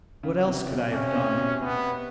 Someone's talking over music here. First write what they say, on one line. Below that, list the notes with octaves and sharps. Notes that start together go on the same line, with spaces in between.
What else could I have done?
C#3
C3
B2
C3 C#4
C3
B2
C3 B3